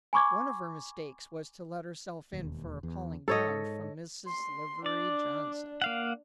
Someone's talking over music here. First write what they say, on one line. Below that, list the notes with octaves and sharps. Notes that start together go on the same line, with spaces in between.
One of her mistakes was to let herself in for a calling-down from Mrs. Livery Johnson.
G#5 B5 C#6 D6 G#6
E1 D#2
E2
G#2 A4 C#5 D#5
C6
D4 D5
A#3 F5 F#5